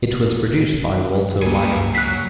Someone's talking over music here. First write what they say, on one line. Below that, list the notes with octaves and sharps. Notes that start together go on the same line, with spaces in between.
It was produced by Walter Wanger.
C#2 A#3 B3 G#5
F#3 F#6 B6